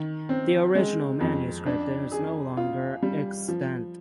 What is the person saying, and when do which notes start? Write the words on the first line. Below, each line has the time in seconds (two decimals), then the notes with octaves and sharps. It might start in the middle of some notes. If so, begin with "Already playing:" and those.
The original manuscript is no longer extant.
Already playing: D#3
0.29 C4
0.75 G#3
1.21 F2
1.66 D4
2.12 G#4
2.57 F4
3.02 G3
3.48 F3